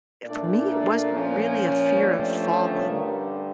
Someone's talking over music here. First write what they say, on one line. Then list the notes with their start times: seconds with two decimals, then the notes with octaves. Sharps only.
Eh, for me, it wasn't really a fear of falling.
0.24 A#2 A3 D4 D5
0.68 A#4
1.12 A#2 F3 A#3 C#4
2.00 G2 F3 A3 C#4 D5
2.44 C#5
2.88 G2 D3 G3 A#4